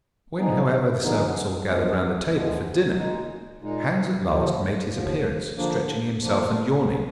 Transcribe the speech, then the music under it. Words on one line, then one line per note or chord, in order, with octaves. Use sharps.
When, however, the servants all gathered round the table for dinner, Hans at last made his appearance stretching himself and yawning.
D3 F3 B3 D#4 G#4
D3 F3 B3 D#4 G#4
D2 D3 F3 G#3 B3
D2 D3 F3 G#3 B3
A#2 G#3 D#4
A#2 G#3 D#4
D#2 D3 F3
D#2 D3 F3
D3 F3 A#3 D4
D3 F3 A#3 D4